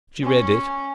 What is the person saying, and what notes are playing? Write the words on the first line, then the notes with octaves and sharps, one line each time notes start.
She read it.
C#4